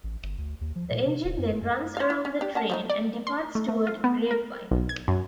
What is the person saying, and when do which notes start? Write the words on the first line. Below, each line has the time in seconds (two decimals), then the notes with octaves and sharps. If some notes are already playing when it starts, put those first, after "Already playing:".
The engine then runs around the train, and departs toward Grapevine.
0.04 A1
0.23 G1
0.38 D2
0.61 D#2
0.76 F3
0.91 A#2
1.06 C3
1.24 D1
1.38 F#2
1.62 F#2
1.97 C5 F5
2.10 E4
2.25 C#4
2.41 D4 G4
2.55 C#4 F#5 A5
2.70 F3 A3 D#4
2.90 D5
3.27 C6
3.55 A3
3.68 A3
3.87 F4
4.04 B3
4.31 A#4
4.71 B1
4.89 G#6
5.08 F#2